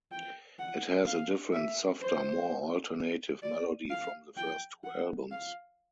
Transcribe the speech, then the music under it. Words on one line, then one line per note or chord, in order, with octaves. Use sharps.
It has a different, softer, more alternative melody from the first two albums.
G5
F#5
F5
E5
C5
D5
F5
G5
F#5
F5